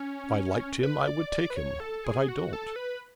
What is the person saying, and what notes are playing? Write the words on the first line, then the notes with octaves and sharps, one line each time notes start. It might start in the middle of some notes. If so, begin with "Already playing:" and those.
If I liked him, I would take him, but I don't.
Already playing: C#4
B4
D5
D5
B4
C#5
A4
G#4
F#4
A4
B4